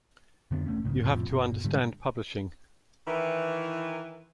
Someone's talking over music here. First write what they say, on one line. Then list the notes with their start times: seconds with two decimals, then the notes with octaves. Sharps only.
You have to understand publishing.
0.51 F2 D3 B3 D4
0.66 E1 A3 C#4
0.84 B1 G#2 C#3
1.03 F2 A2 C3 F3
1.29 G1 B2
1.64 G#2 D3 G3
3.06 D#3 E3